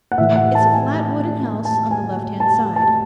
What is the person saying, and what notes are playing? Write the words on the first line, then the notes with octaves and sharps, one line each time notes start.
'It's a flat wooden house, on the left-hand side.
F#5
A2 E3 E5
F#5
A5
G#5
A5
G#5
A5
A5